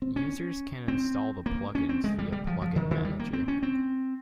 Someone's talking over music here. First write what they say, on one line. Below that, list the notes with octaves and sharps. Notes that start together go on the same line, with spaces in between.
Users can install the plugins via Plugin Manager.
C4
C#4
C4
A#3
C#4
C4
G#3
G3
G3
F3
F3
D#3
D#3
G3
A#3
C4
C#4
C4